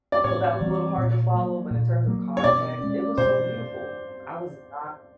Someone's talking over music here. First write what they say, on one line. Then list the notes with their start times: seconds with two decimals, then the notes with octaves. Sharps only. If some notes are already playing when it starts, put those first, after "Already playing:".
so, that was a little hard to follow, but in terms of context, it was so beautiful. I was not
0.12 D5
0.24 A2 C#5
0.61 E3 G3 C4
0.98 A#2
1.34 F#3 A#3
1.70 A#2
2.07 F#3 A#3
2.37 C#5
2.44 B2 D5
2.81 G#3 C#4
3.18 B2 C5